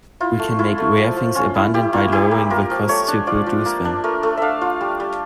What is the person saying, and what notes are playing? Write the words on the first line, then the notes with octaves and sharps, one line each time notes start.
We can make rare things abundant by lowering the costs to produce them.
E4 F4
A3
E4 F4
A3
F3
F3
C#4 F4
E4
E4 G4
A#3 F4
E4 G4
A#3
F4 A#4
F3
A3 C#5
D4
F4 D5
F3
A#3
D4
A3 A#4
A3 A4
D4 E5 F5
F4 F5
G3
G3